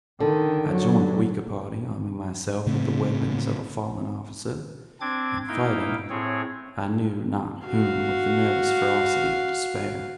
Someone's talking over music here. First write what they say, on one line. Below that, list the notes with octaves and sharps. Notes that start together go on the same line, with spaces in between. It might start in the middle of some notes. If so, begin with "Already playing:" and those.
I joined the weaker party, arming myself with the weapons of a fallen officer, and fighting I knew not whom with the nervous ferocity of despair.
D3 D#3
F#3
A2 C#3 A3 C4
C4 D4 D6 G#6
A#3 D#4 E4 F5 G5
A2 C4 G#4 C#5
F#4 F5